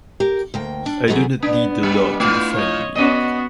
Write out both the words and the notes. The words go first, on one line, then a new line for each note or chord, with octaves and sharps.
I do not need the law to defend me.
G4 A#4
D2 A#3 G5
D4
D3 E3 F#3 G3 B3 G#4
B3 D4
G3
A3 E4 F4
C#5 D#5
B3 C#4 F#4 D#5